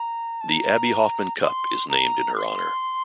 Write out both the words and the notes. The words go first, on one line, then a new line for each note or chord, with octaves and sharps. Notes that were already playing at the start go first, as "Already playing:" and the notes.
The Abby Hoffman Cup is named in her honour.
Already playing: A#5
A5
A#5
C6
A#5
C6